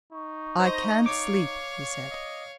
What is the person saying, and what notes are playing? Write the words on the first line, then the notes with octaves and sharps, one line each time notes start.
"I can't sleep," he said.
D#4 C#6
C5 D#5 A#5
C#5 F5 C#6 D6
D#5